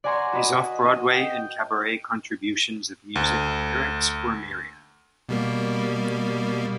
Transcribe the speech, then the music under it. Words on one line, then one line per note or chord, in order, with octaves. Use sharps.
His off-Broadway and cabaret contributions of music and lyrics were myriad.
D5 F#5 G#5 A#5 C6 C#6
F#4 B4 D#5
F#4 D#5
G5
D2
B2 G3 A#3